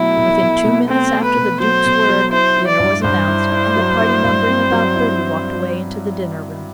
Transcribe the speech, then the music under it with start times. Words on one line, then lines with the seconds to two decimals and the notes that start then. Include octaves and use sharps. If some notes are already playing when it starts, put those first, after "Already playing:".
Within two minutes after the Duke's word dinner was announced, and a party numbering about thirty walked away into the dinner-room.
Already playing: B2 F#3 A3 E4
0.17 B2
0.41 B2
0.64 B2
0.88 A3 C4
1.12 A3
1.24 B4
1.37 B2
1.60 F#3 C5
1.85 B2
2.09 F#3
2.32 E4 C5
2.57 E4
2.68 D5
2.80 G2
3.04 G2 C5
3.28 E4
3.52 E4
3.76 F#3
4.00 E4
4.24 G2
4.48 C4
4.72 F#3
4.96 E4